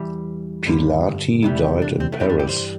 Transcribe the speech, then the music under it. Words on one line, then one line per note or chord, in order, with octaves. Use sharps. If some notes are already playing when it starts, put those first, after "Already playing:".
Pilati died in Paris.
Already playing: E2 E3 G3
G2 D3 G3
C2 C3 E3 G3
D4
C4
A3
G2 E3 G3 C4
D4
G4
C5